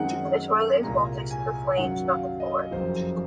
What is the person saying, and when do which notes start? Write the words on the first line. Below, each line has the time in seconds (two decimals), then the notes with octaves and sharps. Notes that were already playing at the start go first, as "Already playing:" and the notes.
The toilet is bolted to the flange, not to the floor.
Already playing: F#2 D#3 G#3 C4 D#4 F#5
0.82 C2 A#2 G#3 A#5
1.31 G#5
1.77 F#2 D#3 F#3 F#5
2.08 F5
2.40 D#5
2.71 F#1 F2 C#3 F#3 C5